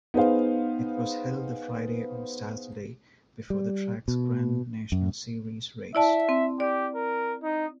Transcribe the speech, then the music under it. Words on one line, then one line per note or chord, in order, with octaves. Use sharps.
It was held the Friday or Saturday before the track's Grand National Series race.
B3 D#4 G#4 C5 F5
G3
B2
F#2
E4 D5 E5 A5
C4
G4 D5
A#4
D#4